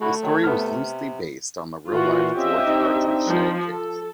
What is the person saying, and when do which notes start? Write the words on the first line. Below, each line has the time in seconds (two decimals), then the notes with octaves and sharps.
The story was loosely based on the real life George Archer-Shee case.
0.01 D3 A3 E4 F#4
0.22 D#3 F#3
0.44 C3 B3 F6
1.93 A#2 E3 F4 F#4
2.35 C4 C#4 F4 G4 D#5 E5
2.66 C4 D4 D#4
3.28 F3
3.68 A4